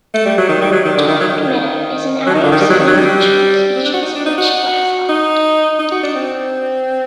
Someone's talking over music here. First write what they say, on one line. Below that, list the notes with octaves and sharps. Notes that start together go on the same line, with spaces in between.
Bratoft Meadow is an area of semi-natural species rich grassland.
A3
G3
F#3
D#3
G3
F#3
D#3
D3
D#3
F#3
D#3
D3
D#3
F#3
D#3
D3
D#3
G3
F#3
D#3
F#3
G3
C4
D4
F#4
D#4
D4
D#4
F#4
D#4
D#4
F#4
D4
C4